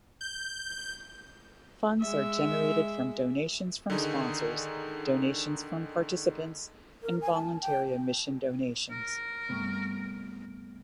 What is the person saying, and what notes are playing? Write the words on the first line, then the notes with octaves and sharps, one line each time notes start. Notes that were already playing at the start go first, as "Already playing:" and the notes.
Funds are generated from donations from sponsors, donations from participants and voluntary admission donations.
G6
G#3 E5
D3 D#3 D#4 G#4
A#4
G#5
A5
G5
A#4
G2 C3 G3 A3 B3 C#6